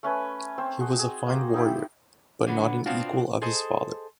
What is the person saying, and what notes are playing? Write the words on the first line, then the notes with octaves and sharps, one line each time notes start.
He was a fine warrior but not an equal of his father.
A3 C#4 B4
C4 C5
F#4 G#4 D#5
G#4
A#3 F#4 C5
D#4 E4 G4
D3 F#3 B3
B2 B3 C4 D4 F4 F#4
G#4 A4 C5 D#5